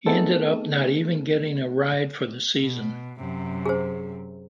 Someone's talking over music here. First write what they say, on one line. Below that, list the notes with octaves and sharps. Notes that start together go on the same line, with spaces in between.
He ended up not even getting a ride for the season.
A3 B3 C4 D#4 G#4 A4
B2
F#2 C3
G#4 C5